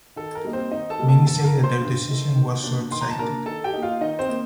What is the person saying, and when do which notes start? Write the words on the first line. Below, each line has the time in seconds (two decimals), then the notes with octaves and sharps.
Many say that their decision was short sighted.
0.16 D#3 A4
0.35 A#4
0.45 G3 A#3 D#4
0.53 C4 C5
0.72 D#3 D#4 D#5
0.90 A4 A5
0.99 G3 A#3 D#4
1.08 A4 A5
1.27 G2 A4 A5
1.45 A#4 A#5
1.54 D#3 A3
1.63 C5 C6
1.82 G2
2.09 D#3 A3
2.36 D#3
2.64 A#3 D4
2.91 D#3 C6
3.01 A#5
3.10 A5
3.19 A#3 D4 A#4 A#5
3.46 D#3 A4 A5
3.64 G4 G5
3.73 A#3 D#4
3.83 F4 F5
4.01 D#3 D#4 D#5
4.19 C4 C5
4.28 A#3 D#4